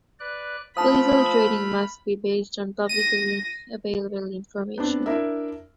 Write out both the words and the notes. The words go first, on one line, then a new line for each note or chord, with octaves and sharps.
Legal trading must be based on publicly available information.
B4 D5 F#6
F3 A3 A5 B5 D#6 F6
A#6 D#7
B3 C4 D4
D4 E4 A#4 E5